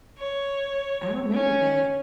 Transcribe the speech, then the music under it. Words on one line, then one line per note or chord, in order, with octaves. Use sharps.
I remember that.
C#5
C#4